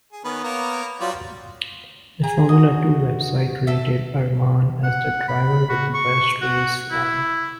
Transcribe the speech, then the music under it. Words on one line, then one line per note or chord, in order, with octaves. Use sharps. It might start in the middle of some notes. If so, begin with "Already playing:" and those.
The Formula Two website rated Armaan as the "Driver with the Best Race Form".
G#4
D#3 B3 C#4 B4
A#3 A#4 C#5
F#3 G3 F4 F#4 D5
G#4 A#5
F#4 D#5
A4 E5
F#5
B5
F#4
C#6
F#4
E4